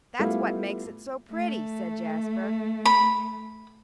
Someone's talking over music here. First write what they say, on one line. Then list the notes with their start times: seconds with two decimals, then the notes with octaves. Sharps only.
"That's what makes it so pretty," said Jasper.
0.19 G3 A3 B3 E4 F4 F5
1.32 A3
2.85 B5